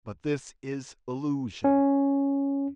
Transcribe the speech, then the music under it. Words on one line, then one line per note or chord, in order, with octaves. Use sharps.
But this is illusion.
C#4